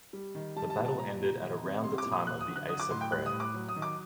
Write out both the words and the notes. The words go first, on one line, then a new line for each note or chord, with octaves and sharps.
The battle ended at around the time of the Asr prayer.
G3
D#3
G3 A5
A5
A#2
A5
G3 A#5
A#2
D#3
C3
G3 C6
D6
A#2
D#6
F#3 F#6
D#6
D3
F#6
F#3 D#6
D6
A2 C6
G5
G3 F#6
D#6
A2
D6
F#3
D#6
D#3
D6